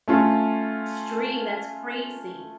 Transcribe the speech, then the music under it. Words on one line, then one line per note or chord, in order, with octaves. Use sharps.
stream, that's crazy.
A3 C#4 F4